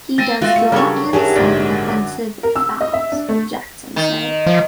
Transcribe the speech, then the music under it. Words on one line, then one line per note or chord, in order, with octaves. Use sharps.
He does draw and sell offensive fouls, Jackson said.
C4 A6 A#6 D#7
A3 B3 F4 F#4
A3 C#7
C#3 F#3 G3 D4 A4 A#4 C#5
F#2 D#3 F#3 G4 G#4 C#5 A5
A#1 G#2 D3 D4 D5
A#4
E6
D#5
E5
D4
A3
D#3
F3